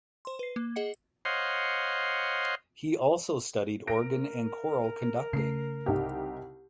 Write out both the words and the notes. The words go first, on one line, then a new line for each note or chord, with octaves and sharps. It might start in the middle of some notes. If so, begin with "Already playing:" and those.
He also studied organ and choral conducting.
C5 C6
B4 C7
A#3
G#4 D#5 F#5 C#7
C5 C#5 D#5 F5 F#5 C6
A#4 A#6 D7
C#3 A3 C7
C2 D#4 G4